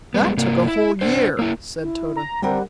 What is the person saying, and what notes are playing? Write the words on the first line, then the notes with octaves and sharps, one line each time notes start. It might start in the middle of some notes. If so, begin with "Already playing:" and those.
"That took a whole year," said Tode.
G3 G#3 B3
C3 A#3
E4
D4 C5
A#3 E4
E4
A#5
D3 G3 C4 A#4 F#5